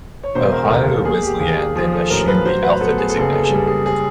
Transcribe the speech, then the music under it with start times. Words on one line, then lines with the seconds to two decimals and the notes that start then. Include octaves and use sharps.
Ohio Wesleyan then assumed the Alpha designation.
0.23 C#5
0.35 E1 C5
0.52 A#4
0.63 A4
0.70 D#2 A#4
0.88 A4
1.05 A#3 G#4
1.23 G4
1.40 D#2 G#4
1.58 G#4
1.75 F3 G#4
1.93 A4
2.10 A1 A#4
2.28 B4
2.45 F#3 C5
2.63 B4
2.81 B3 A4
2.98 G#4
3.10 A4
3.16 F#1 G#4
3.32 A4
3.44 G#4
3.51 G3 A4
3.67 G#4
3.86 G#4